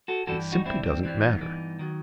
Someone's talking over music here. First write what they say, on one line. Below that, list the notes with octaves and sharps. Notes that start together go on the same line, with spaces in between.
It simply doesn't matter.
F#4 A4
G2 E3 G3 F#4 A4
D#4 F#4
G2 E3 G3 C4 E4
C4
G2 E3 G3 C4
B3 D#4
G2 E3 G3
D#3 F#3